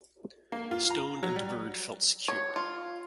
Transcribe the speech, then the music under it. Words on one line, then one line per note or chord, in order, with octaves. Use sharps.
Stone and Bird felt secure.
A#3
F4
A#5
F#3
G3
C#5
F4